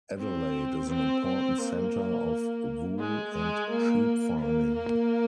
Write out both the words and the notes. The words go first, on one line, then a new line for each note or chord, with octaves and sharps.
Adelaide is an important centre of wool and sheep farming.
C4
C4
C4
A#3
G#3
G#3
A#3
A#3
A#3